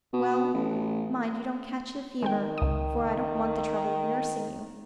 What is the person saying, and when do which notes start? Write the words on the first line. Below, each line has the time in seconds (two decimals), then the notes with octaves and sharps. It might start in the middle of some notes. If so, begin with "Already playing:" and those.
'Well, mind you don't catch the fever: for I don't want the trouble of nursing you.'
0.13 B2
0.54 A1
2.23 D#3 G#3 C4 G5
2.58 C#2 D#6